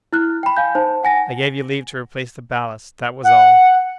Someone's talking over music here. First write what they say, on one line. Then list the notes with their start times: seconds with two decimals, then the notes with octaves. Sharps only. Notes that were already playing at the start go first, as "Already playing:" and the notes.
"I gave you leave to replace the ballast; that was all!"
0.13 E4 F6 F#6
0.43 G5 B5
0.57 F5 G#5 G6
0.75 D#4 C5 A5
1.03 F#5 G#5 A#6
3.24 F#5